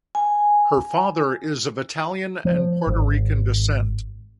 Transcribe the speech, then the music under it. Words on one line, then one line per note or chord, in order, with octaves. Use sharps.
Her father is of Italian and Puerto Rican descent.
G#5
F3
G#1